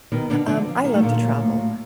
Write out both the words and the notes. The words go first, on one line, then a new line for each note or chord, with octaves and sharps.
Um, I love to travel.
B2 D#3 D#4
B2 D3 D4
D3 F3 D4
F3
D#3 G#3 D#4
A3
A#2 D3 A#3
F#3
A2
A2